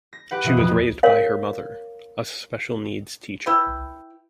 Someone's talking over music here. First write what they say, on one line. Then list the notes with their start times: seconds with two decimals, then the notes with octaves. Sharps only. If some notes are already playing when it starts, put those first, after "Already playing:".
She was raised by her mother, a special-needs teacher.
0.13 A#6
0.31 G4 B4 F#5
0.44 B2 E3 F4 D#5 F#6
0.57 F2
1.03 A#4 C#5 F5
3.46 E4 B4 G5